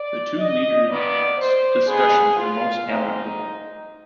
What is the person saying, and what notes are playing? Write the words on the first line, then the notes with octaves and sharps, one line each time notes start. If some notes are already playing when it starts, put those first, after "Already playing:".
The two leaders' discussions were most amicable.
Already playing: D5
D#5
G2 D#3 B3 D5
C5
D3 G#3 B3 G#4
F4
G#2 D#3 G3 C4 D#4